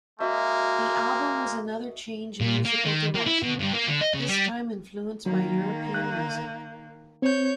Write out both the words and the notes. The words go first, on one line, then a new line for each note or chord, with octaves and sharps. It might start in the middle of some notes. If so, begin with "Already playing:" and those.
The album was another change in musical direction, this time influenced by European music.
G#3 A#3 F#4 D#5 E5
A#2
A#3
D#3
A#3
E4
B2
G2
A#3
D3
D#5
C#3
G3
D#3 F#3 A#3
F#6
C4 C#5 G6